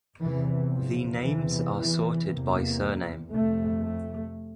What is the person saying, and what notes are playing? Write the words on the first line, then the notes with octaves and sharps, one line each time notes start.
The names are sorted by surname.
E2 C3 E3
F3
E2 C3 E3
E3
E2 C3 A#3
F2 C3 A3
A3